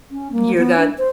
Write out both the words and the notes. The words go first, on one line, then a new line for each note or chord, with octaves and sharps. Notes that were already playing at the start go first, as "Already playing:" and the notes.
year, got
C#4
A#3
B3
D4
C5